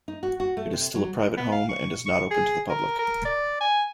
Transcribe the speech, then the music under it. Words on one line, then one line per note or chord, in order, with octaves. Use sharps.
It is still a private home and is not open to the public.
D#4
F#4
F#4
A3
C3
F#3
B3
F5
C#6
C#6
G#4
A#4
A#4
D5
G#5